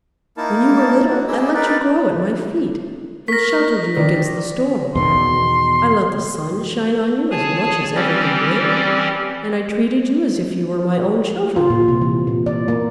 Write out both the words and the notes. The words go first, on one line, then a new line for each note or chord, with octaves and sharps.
When you were little I let you grow at my feet, and sheltered you against the storm, I let the sun shine on you as much as ever he would, and I treated you as if you were my own children.
A#3 D#4 E4 A#4 A5
D4 F#4
E4 G4 G#4 D#5 E6
D#4 A#4 B4 D5
A#4 C#6 A#6 B6
D#3 D4 D5
E2 B2 D#3 C6
G#4 C#5 G#5 A5
E3 G3 C4 C#4 G4 D5
F4
A#2
C3
E3
A#2
D5
A#3